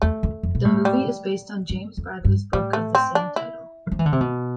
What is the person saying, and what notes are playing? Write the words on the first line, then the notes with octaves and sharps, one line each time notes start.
The movie is based on James Bradley's book of the same title.
E2 A3
F2
F2
B2
A2
G3
G2
F2
G2
A2 G3
A3
C4
D4
E4
F3
E3
D3
C3
B2